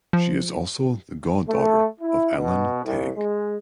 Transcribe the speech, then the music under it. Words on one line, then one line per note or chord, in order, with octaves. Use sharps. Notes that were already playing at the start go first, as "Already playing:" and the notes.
She is also the god-daughter of Alan Tang.
F3
A3
E4
B2
C2
G#3